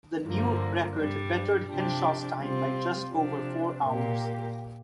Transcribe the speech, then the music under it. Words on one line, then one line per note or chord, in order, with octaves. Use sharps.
The new record bettered Henshaw's time by just over four hours.
G2 D3 F3 A#3
G2 G3 D4
C3 F3 D4 G4
C3 G3 C4 F4
C3 F3 D4
A#2 A#3 G4